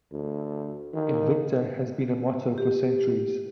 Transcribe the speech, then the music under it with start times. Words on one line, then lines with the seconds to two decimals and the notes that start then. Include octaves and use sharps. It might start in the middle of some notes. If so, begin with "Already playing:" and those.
"Invicta" has been a motto for centuries.
0.12 D2
0.94 D#3
2.58 G4